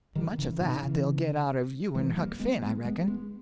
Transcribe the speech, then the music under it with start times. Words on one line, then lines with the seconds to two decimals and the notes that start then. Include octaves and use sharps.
Much of that they'll get out of you and Huck Finn, I reckon.
0.15 D#3 G3
0.38 C#3 E3
0.60 B2 D#3
0.82 C#3 E3
1.95 E3 G#3
2.17 G3 A#3
2.39 G#3 B3
2.62 G#3 B3
2.85 G#3 B3
3.07 G#3 B3